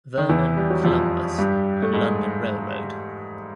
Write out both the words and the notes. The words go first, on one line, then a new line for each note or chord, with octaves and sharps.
Vernon, Columbus and London Railroad.
D#3
E2 E3
G3
F#3
F2 F3
G2 G3
A3
G#2 G#3